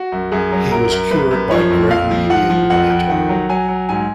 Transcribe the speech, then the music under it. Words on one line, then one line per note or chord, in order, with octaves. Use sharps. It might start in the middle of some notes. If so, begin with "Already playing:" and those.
He was cured by Gregory the Illuminator.
Already playing: F#4
F#2
F#2 G#4
F#3
F#2 A#4
F#2
F#2 B4
F#2
F3 C#5
F2
F2 F5
F3
F3 F#5
F3
F2 F#5
F2
D#3 F#5
F#3
F#3 G#5
F#3
G#2 G#5